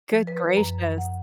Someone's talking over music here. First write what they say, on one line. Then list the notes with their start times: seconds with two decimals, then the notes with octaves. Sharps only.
Good gracious.
0.12 F3
0.27 B4
0.57 F#2
0.98 F#5